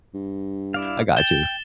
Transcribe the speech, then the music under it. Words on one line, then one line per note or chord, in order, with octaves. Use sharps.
I gotchu."
G2
E4 D5 F5
G5 A6 E7 G7